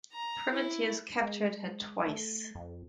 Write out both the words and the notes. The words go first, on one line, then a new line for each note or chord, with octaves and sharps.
Privateers captured her twice.
A#5
E4
G#3
A3
F2